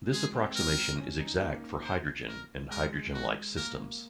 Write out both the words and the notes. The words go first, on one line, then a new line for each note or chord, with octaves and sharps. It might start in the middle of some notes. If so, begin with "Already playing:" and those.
This approximation is exact for hydrogen and hydrogen-like systems.
G#3 G#4
C4
A#4
C#4
D#4
A#3
C5
A#4
G#3 A#4
F#4
A#3 A#4